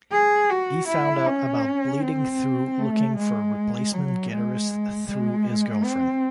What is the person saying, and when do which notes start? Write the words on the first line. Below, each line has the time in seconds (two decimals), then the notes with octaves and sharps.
He found out about Bleeding Through looking for a replacement guitarist through his girlfriend.
0.11 G#4
0.50 F#4
0.87 E4
1.26 C#4
2.03 C4
2.78 A3
3.17 G#3
3.93 F#3
4.31 G#3
5.07 G#3
5.84 C4